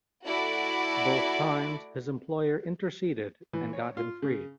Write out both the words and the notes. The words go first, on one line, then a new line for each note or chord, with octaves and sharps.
Both times his employer interceded and got him freed.
A3 E4 F#4 D5 D6
E3
C#5
F4
C#3